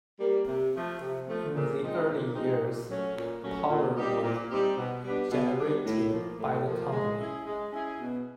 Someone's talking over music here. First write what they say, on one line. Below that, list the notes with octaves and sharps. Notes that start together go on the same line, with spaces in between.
In the early years, power was generated by the company.
G3 A#3
C3
F3 A3
C3
F3 A3
A#2
F3 G#3 C4 D#4
A#2
F3 G#3 C4 D#4
A#2
F#3 A3 C#4
A#2
F#3 A3 C#4
A#2
G3 C4 D#4 G4
A#2
G3 C4 D#4 G4
B2
G3 B3 D4
B2
G3 B3 D4
A2
F3 A#3
A2
F3 A#3
G#3
C#4 E4 G#4
G#3
C#4 E4 G#4
B2